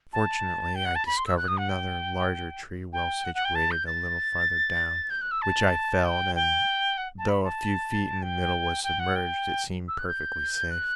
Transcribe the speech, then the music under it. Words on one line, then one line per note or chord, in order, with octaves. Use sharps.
Fortunately, I discovered another larger tree well situated a little farther down, which I felled, and though a few feet in the middle was submerged, it seemed perfectly safe.
A5
G5
F#5
A5
B5
C6
E6
F#6
D#6
F#5
G5
G5
F#5
F#5
G5
A5
G6
A6
G6
F#6
E6
A5
G5
G5
F#5
A5
B5
A5
G5
G5
F#5
G5
E6
F#6
G6
F#6